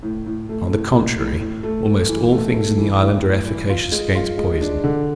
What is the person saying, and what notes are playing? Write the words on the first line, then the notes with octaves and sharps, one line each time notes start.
On the contrary, almost all things in the island are efficacious against poison.
A2
A2
A3
A2
A2
A2
A2
A3
A3
E3
A3
A3
E3
A2
A2
E3
F4
G#3
F4
G#3
D4
D3